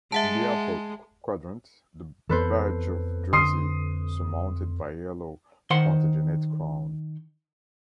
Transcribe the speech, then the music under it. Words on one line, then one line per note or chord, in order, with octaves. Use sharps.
In the upper quadrant the badge of Jersey surmounted by a yellow "Plantagenet crown".
G#3 E5 F#5 A5
F2 E3 B3 A4 B4 C5
D3 C6 D#6 C7
D#3 C5 F#5 C6